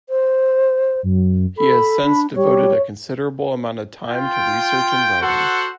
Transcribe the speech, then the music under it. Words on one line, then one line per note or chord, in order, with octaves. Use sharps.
He has since devoted a considerable amount of time to research and writing.
C5
F#2
A4 B5
D4
G3 C#5
F4 G5
F#4 A4 C5 F#5